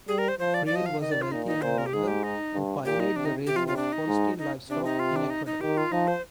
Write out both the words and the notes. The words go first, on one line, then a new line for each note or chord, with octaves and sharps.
Freile was a wealthy landowner who pioneered the raising of Holstein livestock in Ecuador.
G3 G#4
A#4
C5
F3 C5
D5
F3 D5
D#5
F5
D#3 D#5
D5
F4
A#2 D#4
D#4
A#2 C5
A#4
G4
G#2 G#4
G4
D#4
G2
A#2 G4
D#4
C3 D4
D#4
C3 G4
F4
F4
D4
D#4
G#2
D#4
C3 D4
D#4
F4
D4
D#4
D#4
D#3 G4
F4
F3 D#4
C5